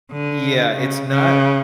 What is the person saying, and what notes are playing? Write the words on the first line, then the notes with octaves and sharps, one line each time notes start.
Yeah, it's not
D3
C#3
C#3